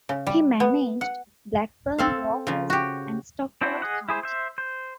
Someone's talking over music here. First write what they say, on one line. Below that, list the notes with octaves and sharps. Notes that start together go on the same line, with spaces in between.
He managed Blackburn Rovers and Stockport County.
C#3
G3
B3
F#5
C4 A4 F5
C#3 F3
F#4 G4
C4 D4 E4 F#4 C5
G#4 D#5 F#5
E4 G#4 C5
C5 E5
C5